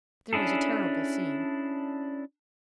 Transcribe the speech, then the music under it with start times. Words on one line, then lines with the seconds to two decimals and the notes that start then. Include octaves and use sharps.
There was a terrible scene.
0.33 C#4 D4 E4 G#4 A4